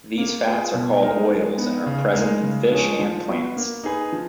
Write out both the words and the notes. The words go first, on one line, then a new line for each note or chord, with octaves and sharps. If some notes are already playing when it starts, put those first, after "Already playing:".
These fats are called oils and are present in fish and plants.
A#3
F4 G#4 B4
B2
G#3 D#4 A#4
G#3
B3 D#4
C#3
G#3 D#4 A#4
C#3
F3 G#3 C#4 G#4
F3
B3 F#4
A#3
D#4 G#4 B4
F3